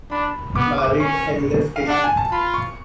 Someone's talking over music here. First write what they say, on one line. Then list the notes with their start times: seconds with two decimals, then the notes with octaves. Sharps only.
Married and left issue.
0.11 D4 B5
0.55 B3 D6
0.78 D6
0.99 C#4 C#6
1.76 F5
1.87 D4 F#5
2.04 G#5
2.17 A5
2.31 F4 B5
2.54 C#6